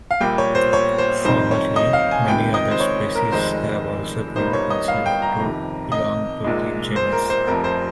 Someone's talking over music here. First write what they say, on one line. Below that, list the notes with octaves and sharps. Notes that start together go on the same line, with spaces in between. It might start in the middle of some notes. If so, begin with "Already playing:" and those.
Formerly, many other species have also been considered to belong to the genus.
F5
A#1 A#2 G3 A#3 G5
C#5
C5
C#5
C5
F2 D#3 G3 C4 D#4 C5
C#5
D#5
F5
G#5
C#2 C3 D#3 G5
D#5
C5
C#5
A#4
F1 F2 D#3 G#3 D#4 C5
G1 G2 G3 A#3 D#4 C5
C#5
D#5
F5
G5
A#5
F2 C3 D#3
D#5
A#1 A#2 G#3 D#4
C5
A#4
C5
F1 F2 C3 F3 A#4
C5